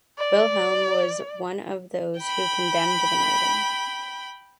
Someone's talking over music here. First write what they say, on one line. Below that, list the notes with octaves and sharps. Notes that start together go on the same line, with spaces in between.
Wilhelm was one of those who condemned the murder.
D5
G5 B5